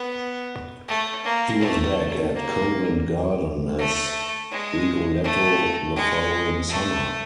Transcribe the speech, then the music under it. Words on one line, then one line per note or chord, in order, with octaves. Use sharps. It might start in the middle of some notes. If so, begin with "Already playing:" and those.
He was back at Covent Garden as Rigoletto the following summer.
Already playing: B3
A3
A#3
A3
A#3
A3
G#3
A3
G#3
A3